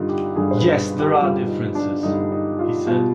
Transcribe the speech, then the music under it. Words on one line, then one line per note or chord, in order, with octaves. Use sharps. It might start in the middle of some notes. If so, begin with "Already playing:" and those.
"Yes, there are differences," he said.
Already playing: G2 D3 G3 D#4 F4
G4
G2 D3 G3 G#4
C5
B4
G#4
G4
G2 D3 G3 F4
D#4
D4
G2 D3 G3 D#4
D#4
F4
B2 G3 F4